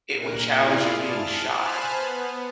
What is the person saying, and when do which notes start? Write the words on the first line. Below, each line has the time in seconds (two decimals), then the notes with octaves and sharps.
it would challenge you being shy,
0.11 A#2 A#4 F#6
0.48 E4 F4 G#4 D5 F5
1.00 A5 F6
1.46 C5 G#5 A5 B5 F6 F#6
1.96 B3